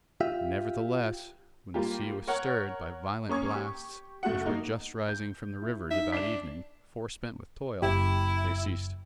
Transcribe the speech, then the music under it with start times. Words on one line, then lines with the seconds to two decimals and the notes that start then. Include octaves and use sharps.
Nevertheless when the sea was stirred by violent blasts which were just rising from the rivers about evening, forspent with toil, they ceased.
0.21 F4 G4 E5
1.74 G3 A#3 F4 G4
2.27 A#4 C#5 F#5
3.29 A#3 C#4 C#6 G#6
3.51 G4 C#6
4.23 F#1 A3 F#4 F#5
4.46 A#3 D#4
5.09 G6
5.62 E4
5.91 D#4 E5
6.12 D4 B6 C7 E7
7.82 F#1 E4 G4